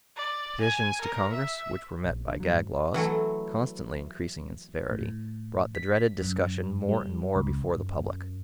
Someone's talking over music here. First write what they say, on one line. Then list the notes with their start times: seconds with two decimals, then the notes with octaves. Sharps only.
Petitions to Congress, which were met by gag-laws, constantly increasing in severity, brought the dreaded discussion more and more before the public.
0.16 D5
0.61 G#5
1.01 A#4
1.32 E5
2.05 A#1
2.27 D3
2.40 F#3
2.51 G#2
2.94 E3 F#3 A3
4.91 A2
5.75 B6
6.21 F#2
6.89 G3
7.36 C#2
7.77 F#2